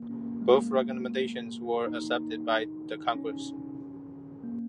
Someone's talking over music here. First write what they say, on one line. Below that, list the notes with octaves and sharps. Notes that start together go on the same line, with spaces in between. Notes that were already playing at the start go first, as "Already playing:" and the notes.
Both recommendations were accepted by the Congress.
Already playing: A#3
C#4
A#3
G#3
A#3
D#4
C#4
A#3